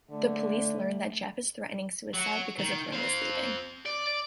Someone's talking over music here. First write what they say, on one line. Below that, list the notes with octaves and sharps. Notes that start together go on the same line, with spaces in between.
The police learn that Jeph is threatening suicide because of Rona's leaving.
D3 A3
F#3 F#4
D#3
C4 F5
D5
D5